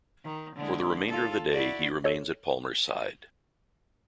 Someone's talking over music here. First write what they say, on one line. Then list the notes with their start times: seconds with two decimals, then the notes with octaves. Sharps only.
For the remainder of the day, he remains at Palmer's side.
0.24 D#3
0.56 D3 G#3 E4
1.08 F4 A4
1.52 E4 F#4 D5
2.04 A4 C#5 D#5